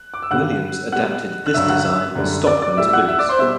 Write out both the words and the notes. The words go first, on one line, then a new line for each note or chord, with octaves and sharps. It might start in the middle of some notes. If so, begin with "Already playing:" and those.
Williams adapted this design for stockmen's boots.
Already playing: F#6
D6
E6
G2 D3 G3 F#5 F#6
B2 G3 F#5 F#6
F#6
G2 D3 F#3 E5 E6
F#5 F#6
F#6
E5 E6
F#2 D3 G3
D5 D6
D5 D6
A2 G3 E5 E6
E6
F#5 F#6
E5 E6
D5 D6
C5 C6
B2 G3 E5 E6